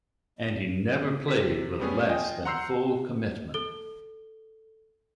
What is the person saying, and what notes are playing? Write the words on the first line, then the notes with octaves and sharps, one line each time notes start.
And he never played with less than full commitment.
C3 B6
G3 A3 B3 C#4 G#4
F4 D#5 G5 G#5
F#5 A#5 C6 E6 G6 C7
A4 G7